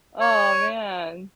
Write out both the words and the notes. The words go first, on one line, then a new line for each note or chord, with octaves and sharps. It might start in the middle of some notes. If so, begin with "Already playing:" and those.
Oh man.
C#5